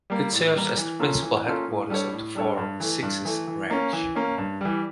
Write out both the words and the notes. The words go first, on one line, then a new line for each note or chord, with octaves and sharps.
It serves as the principal headquarters of the Four Sixes Ranch.
G3 A#3
A2
G3 A#3
E3
A#3 C#4 F4 A4
E3
A#3 C#4 F4 A4
A2
G3 D4 A4 C#5
A2
G3 D4 A4 C#5
G2
E3 A3
G2
E3 A3
E3
A#3 C#4
E3
A#3 C#4
G2
E3 G3